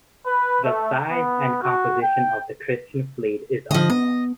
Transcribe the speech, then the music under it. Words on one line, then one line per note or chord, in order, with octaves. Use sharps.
The size and composition of the Christian fleet is unknown.
B4
A3
B3
F#4
G5
D3 F3 D#5
B3 D#5